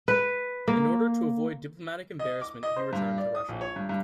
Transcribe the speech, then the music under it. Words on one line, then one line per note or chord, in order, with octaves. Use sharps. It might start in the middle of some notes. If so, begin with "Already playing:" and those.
In order to avoid diplomatic embarrassment he returned to Russia.
B4
A#3
D#5
D6
D#5
C5
G2
D5
D#6
A#1
C#5
G2
G2